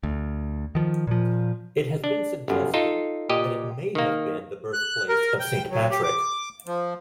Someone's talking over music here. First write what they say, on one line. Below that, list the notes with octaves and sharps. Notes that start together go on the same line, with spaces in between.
It has been suggested that it may have been the birthplace of Saint Patrick.
D2
D#3 F3
A#2 F3
D4
G1 F#2
D#4 F4 A4
A#2 G4 D#5
D#3 A#3
F#6
A#4
G5
F#3
G4
D6
F3